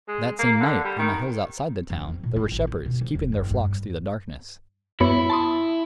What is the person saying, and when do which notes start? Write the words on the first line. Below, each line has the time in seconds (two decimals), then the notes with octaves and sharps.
That same night, on the hills outside the town, there were shepherds, keeping their flocks through the darkness.
0.08 G#3
0.39 A#3
0.60 D3
0.84 G3
0.99 D#3
1.90 F2
2.08 C4
2.23 A#2
2.36 F4
2.52 A1
2.67 F#2
2.86 B2
3.01 F3
3.15 D#1
3.32 F#1
3.50 G2
5.00 F#2 B3 E4 C#5
5.30 A5 C6 D#6